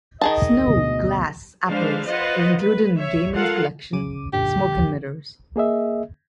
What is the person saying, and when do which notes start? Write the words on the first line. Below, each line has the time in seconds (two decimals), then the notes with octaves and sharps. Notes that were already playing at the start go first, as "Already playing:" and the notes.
"Snow, Glass, Apples" is included in Gaiman's collection, "Smoke and Mirrors".
0.21 D#3 G#4 D#5 A5
0.67 D2 B2
1.65 F3 G#3 D4 B4 C5 F5
2.07 F4 B4 C5 D#5 F#5
2.60 B4
2.97 C#5 E5
3.34 F4 A4 A#4 F5 F#5
3.93 C#3 D6 D#7
4.33 F#2 A#2 D3 G4
5.56 A#3 G#4 D#5 E5